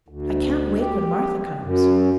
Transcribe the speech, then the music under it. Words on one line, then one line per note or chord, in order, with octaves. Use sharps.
"I can't wake when Martha comes."
D2
G4
F#2